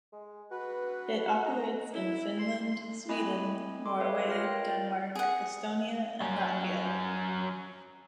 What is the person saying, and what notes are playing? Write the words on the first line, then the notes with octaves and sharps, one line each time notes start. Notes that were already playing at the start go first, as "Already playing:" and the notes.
It operates in Finland, Sweden, Norway, Denmark, Estonia and Latvia.
G#3
F#4 B4
F#5
D#4 A#5
E4
C6
A3 C4 E4 D#5 G#5 B5
A4 C6 D6
G4 B4 C#5 E5 F5
F4 C#5 F5 F6 A#6
A#4 G5
G#4 F#5
F#2 F#3